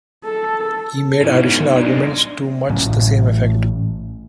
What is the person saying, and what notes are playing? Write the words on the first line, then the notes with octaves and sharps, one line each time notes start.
He made additional arguments to much the same effect.
A4
B1 G#2 C#4 E4
A#2 G#3 D4
A1 A2 F#3 C#4